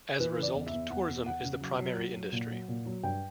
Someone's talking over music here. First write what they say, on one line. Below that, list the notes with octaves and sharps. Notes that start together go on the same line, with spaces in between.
As a result, tourism is the primary industry.
E3 B4
C#3
D5
E2
E5
E2
E2 F#5
E2
E2 F#5
C#3
F#3
F#3
F#3
F#3
A#2
F#3
A#2
F#3
G2 G5